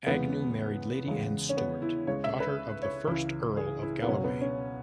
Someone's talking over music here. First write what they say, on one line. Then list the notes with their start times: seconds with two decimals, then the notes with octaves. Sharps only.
Agnew married Lady Anne Stewart, daughter of the first Earl of Galloway.
0.07 E2 C#3 G#3 B3
1.07 E2 C#3 G#3
1.49 C#4
1.57 B3
1.82 E4
2.07 C#2 C#3 G#3 C#5
2.24 E5
2.40 B4
2.82 C#5
3.07 C#2 C#3 E3 E4
3.57 G#4
3.82 E4
4.03 B3
4.07 C#2 B2 F#3 C#4
4.24 B3
4.41 C#4